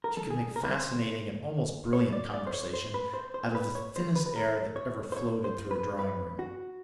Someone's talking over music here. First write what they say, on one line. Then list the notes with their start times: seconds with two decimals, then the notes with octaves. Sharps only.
She could make fascinating and almost brilliant conversation out of the thinnest air that ever floated through a drawing-room.
0.04 A#4
0.17 A4
0.30 G#4
0.56 A#4
0.64 B4
0.71 C5
1.93 C#5
2.13 D5
2.34 D5
2.47 C5
2.54 C#5
2.73 C5
2.94 B4
3.14 C5
3.34 C5
3.55 B4
3.75 C#5
3.96 C5
4.16 B4
4.26 B4
4.36 A#4
4.76 C#5
5.12 C5
5.17 C#5
5.44 C5
5.71 B4
5.99 B4
6.39 F#4